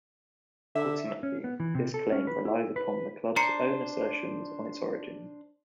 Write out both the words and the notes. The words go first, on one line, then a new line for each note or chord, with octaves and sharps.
Ultimately this claim relies upon the Club's own assertions on its origins.
D3 E5
C#4
B3
E3
C3
A4
C#4
B4
E4
B4
D4 C5 A#5 C7 C#7